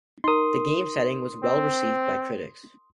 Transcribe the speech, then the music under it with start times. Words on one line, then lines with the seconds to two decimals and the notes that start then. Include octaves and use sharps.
The game's setting was well received by critics.
0.24 D#4 A#4 C6 D#6
1.43 C4